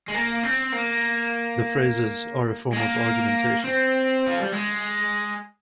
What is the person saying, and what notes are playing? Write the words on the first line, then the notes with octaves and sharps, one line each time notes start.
The phrases are a form of argumentation.
G#3
A#3
C4
A#3
G#3
A#3
C4
F3
G3
G#3